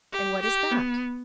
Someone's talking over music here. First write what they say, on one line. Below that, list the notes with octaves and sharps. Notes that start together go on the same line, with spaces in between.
"And what is that?"
G4
G4
B3